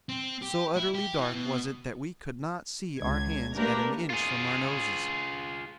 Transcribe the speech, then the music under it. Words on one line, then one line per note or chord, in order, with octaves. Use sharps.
So utterly dark was it that we could not see our hands at an inch from our noses.
C4
G4
E4
G4
E3
B2
C#2 G#6
A3 A#3 D4 G4 A#4 B4
F4 G#4